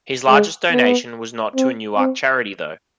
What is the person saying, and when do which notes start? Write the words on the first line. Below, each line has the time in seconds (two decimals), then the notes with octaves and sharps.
His largest donation was not to a Newark charity though.
0.29 G#3
0.70 B3
1.55 C4
1.97 C4